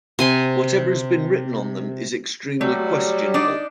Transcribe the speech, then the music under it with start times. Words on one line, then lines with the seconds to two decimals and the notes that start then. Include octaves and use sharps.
Whatever has been written on them is extremely questionable.
0.19 C3 G#5 C6
2.61 F#3 G3 A3
3.34 D4 D#4 D5